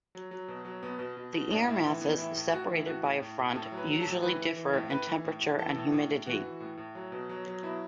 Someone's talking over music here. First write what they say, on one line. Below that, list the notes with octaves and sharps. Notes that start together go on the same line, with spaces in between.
The air masses separated by a front usually differ in temperature and humidity.
F#3
F#3
B2
F#3
B2 B3
B2
B2
B2
A2 D4
A2 E4
E3 E4
E3 B3
A2 E4
A2
A2 F#4
E3
A2 F#4
A2
A2
A2
A2 A4
F#3
B4
F#3
A4
A2
E3 B4
E3
E3
A2
A2 B4
E3
A2
A2
E3 A4
A2
A2
A2
E3 F#4
E3
A2
A2
F#3
B2
F#3
F#3
B2 E4